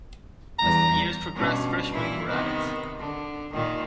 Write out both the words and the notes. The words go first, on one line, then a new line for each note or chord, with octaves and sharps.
As the years progressed, freshmen were added.
E2 G3 A#5
G2 B2 C#4
A#2 E3 E4
C3 D#3 B3
D3
A#2 D#3